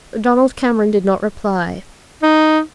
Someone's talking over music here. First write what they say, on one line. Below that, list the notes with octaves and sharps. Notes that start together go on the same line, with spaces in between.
Donald Cameron did not reply.
D#4